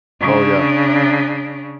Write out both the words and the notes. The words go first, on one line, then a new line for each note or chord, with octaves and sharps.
Oh, yeah.
C#3 D4